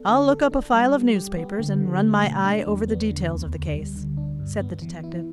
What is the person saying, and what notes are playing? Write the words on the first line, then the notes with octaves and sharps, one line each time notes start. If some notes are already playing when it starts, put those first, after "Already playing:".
"I'll look up a file of newspapers, and run my eye over the details of the case," said the detective.
Already playing: B3 D4 A4
D3
A4
D4
G3
G3
G4
B3
D3
D3
A3
B2
D4
E2
B3
D3
D2
D2
G3
D3
D4
G2
B3
E3
E4